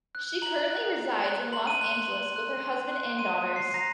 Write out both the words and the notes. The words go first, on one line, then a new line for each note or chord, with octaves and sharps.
She currently resides in Los Angeles with her husband and daughters.
F#6
A#5 F#7
F#6
A#5
F#6
C6 F#7
D#7
F#6 F#7
F#7
C6
F#6
C6
F#6
C6 D#7
F#6
C7
A#5 A#6